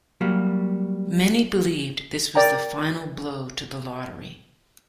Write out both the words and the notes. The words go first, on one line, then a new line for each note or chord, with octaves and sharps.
Many believed this was the final blow to the lottery.
F#3 G3 A#3 F#4
A#4 D5 G5 A#5